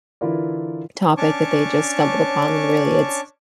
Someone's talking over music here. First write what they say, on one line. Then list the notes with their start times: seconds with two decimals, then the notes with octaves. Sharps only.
topic that they just stumbled upon when really it's
0.21 D3 E3 E4 F4 A#4 D5
1.17 C#4 D4 C#5 A5 C#6 D6